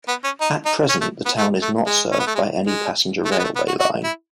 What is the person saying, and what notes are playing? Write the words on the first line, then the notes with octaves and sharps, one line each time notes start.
At present, the town is not served by any passenger railway line.
B3
C#4
D#4
D#4
C#4
A3
B3
A3
A3
G#3
C#4
B3
A3
G#3
G#3
A3
G#3
B3
A3
B3
F#4
F#4
E4